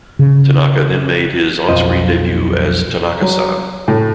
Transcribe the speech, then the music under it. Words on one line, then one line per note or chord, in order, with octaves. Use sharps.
Tanaka then made his on-screen debut as "Tanaka-San".
C#3
B1 F2 F4 C5 D#5
F#3
A2